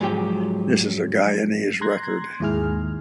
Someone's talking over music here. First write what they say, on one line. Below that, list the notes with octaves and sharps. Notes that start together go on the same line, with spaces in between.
This is the Guyanese record.
G#2 F3 F#3 G4 G5
A#5 C6 F#6 G#6 A#6
D#2 G#2 E4 G#4 F6